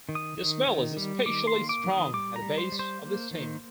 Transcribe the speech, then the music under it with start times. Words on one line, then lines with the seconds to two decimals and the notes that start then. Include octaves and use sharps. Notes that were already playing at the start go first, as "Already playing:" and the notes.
The smell is especially strong at the base of the stem.
0.09 D#3
0.15 D#6
0.37 D#3
0.67 D#3
0.97 G3
1.26 D#3 D6
1.47 C6
1.55 A#3
1.69 D6
1.84 D#3
1.92 D#6
2.13 G3 D6
2.36 A#5
2.42 G3
2.58 C5
2.72 G3
2.79 C5
3.02 A#3
3.31 D#3